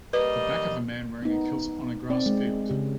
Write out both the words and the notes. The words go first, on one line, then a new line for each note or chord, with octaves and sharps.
The back of a man wearing a kilt on a grass field.
G3 A#3 B4 D#5
B3 D#4
C4 D5
G#3
C#3 G4